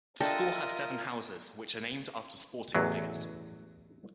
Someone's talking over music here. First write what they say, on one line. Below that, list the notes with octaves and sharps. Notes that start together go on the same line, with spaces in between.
The school has seven houses, which are named after sporting figures.
D4 F4 G4 A4 A#4 D#5 E5
A1 E2 F#3